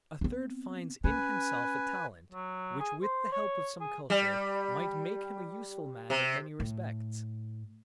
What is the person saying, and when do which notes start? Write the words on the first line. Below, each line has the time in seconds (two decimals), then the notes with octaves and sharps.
A third finds in himself a talent which with the help of some culture might make him a useful man in many respects.
0.21 B3 C4
1.04 C#4 B4 G#5
2.32 F#3
2.80 G#4
3.03 C5
3.32 C#5
3.81 G#4
4.10 G3
6.10 C3
6.60 A2